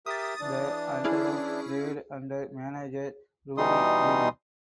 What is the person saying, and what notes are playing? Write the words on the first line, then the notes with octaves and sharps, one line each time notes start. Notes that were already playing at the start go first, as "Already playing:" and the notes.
The Antelopes played under manager Rudy Kling.
G4 A#4 E5 D#6 A6
E3 D4
C#4 E4 G#4
B2 E3 G3 D#4 C6 D#6